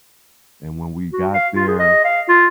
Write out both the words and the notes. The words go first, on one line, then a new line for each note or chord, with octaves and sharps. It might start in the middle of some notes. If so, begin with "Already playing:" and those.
And when we got there,
F#4
F5
F4
G#4
D#5
F5
F4